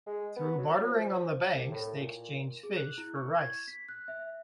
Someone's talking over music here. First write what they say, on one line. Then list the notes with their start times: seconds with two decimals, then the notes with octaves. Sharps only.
Through bartering on the banks, they exchange fish for rice.
0.07 G#3
0.36 B3
0.58 F#3
0.86 F3
1.53 C2
1.71 A2
1.99 A#2
2.63 G#4
2.77 F#6
2.98 E4
3.15 C#6
3.34 G#6
3.67 B6
3.89 F#6
4.08 E5